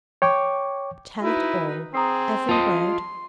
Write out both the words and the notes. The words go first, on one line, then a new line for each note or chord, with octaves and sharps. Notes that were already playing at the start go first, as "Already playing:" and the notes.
"Tell it all;--every word!"
C#5 G5 C#6 D6
D#4 E4 F#4 B4
C4 G#4 A#5 D#6 C7
F4 D#5 A5 C6